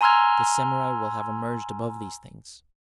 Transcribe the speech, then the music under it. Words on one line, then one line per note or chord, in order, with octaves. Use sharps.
The samurai will have emerged above these things.
G#5 A#5 C6 E6 F6 G#6